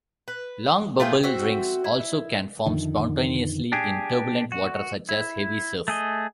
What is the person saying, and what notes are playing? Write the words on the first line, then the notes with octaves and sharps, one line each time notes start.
Long bubble rings also can form spontaneously in turbulent water such as heavy surf.
B4
A3 F4 G4 G#4
C4 F#4 E5
E4
F2 D3 D#3
D4 G4 G#4
F#4
E4
A3 G#4 D#5